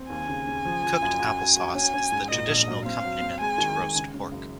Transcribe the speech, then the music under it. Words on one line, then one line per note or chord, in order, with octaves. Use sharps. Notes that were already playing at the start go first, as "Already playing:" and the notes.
Cooked apple sauce is the traditional accompaniment to roast pork.
Already playing: C4
D#2 G#5
C#3
C#3
F3
F3
F#2
F#4
F#4
F#4
C#4 G#5
C#4
G#2
A#2 D#5
A#1
F#3
C4 F5
F#3
C4
G#3 G#5
D#3
G#3
C#3
C#3
F#2